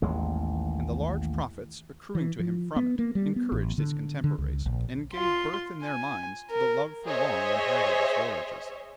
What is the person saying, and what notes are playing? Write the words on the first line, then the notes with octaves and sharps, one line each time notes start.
And the large profits accruing to him from it, encouraged his contemporaries, and gave birth in their minds to the love for long and hazardous voyages.
A1 D#2 G#3
E3
F3
B3
A#3
G3
B3
A1
D3
D3
C#2
A#1
F4 C6
G#5
A#4
G#4 C5 C#5 D#5 E5